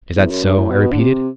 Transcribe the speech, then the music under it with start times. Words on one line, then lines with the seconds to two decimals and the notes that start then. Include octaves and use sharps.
"Is that so?" I repeated.
0.16 E2
0.30 F#2
0.43 G2
0.57 A2
0.71 B2
0.91 D3
0.99 C3